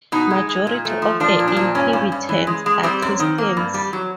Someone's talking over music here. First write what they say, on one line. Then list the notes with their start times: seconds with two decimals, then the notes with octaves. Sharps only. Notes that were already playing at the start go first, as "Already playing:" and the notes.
Majority of the inhabitants are Christians.
0.12 B2 D#4
0.31 G#3
0.49 G#3
0.67 A#2
0.85 A3
1.02 F3
1.20 F3 D4
1.39 A#2
1.48 D4
1.56 A#2
1.75 G2 C#4
1.93 G2
2.12 G2
2.29 E3
2.47 G#3
2.66 G#3
2.83 G3 C4
3.02 F#2
3.20 D#3
3.38 A#3
3.57 G2
3.74 G3
3.93 F#3